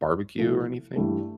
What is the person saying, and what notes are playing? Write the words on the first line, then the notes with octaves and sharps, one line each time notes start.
barbecue or anything?
C2 C3 F3 A3
G2 E3 G3 A3 A4